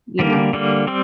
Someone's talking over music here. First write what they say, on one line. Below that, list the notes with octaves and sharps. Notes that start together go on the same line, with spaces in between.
you know,
D3 G3 A#3
D3 G3 A#3
G3 C4